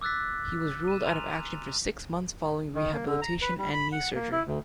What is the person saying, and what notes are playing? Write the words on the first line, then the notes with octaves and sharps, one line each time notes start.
He was ruled out of action for six months following rehabilitation and knee surgery.
D6 E6 F#6 A6 B6
D#7 E7
G#5 A#5 C6 F6 D#7 F7
D#3
A#3
D3
A#5
B4
G3
B5
F#5
A#3
E4
D2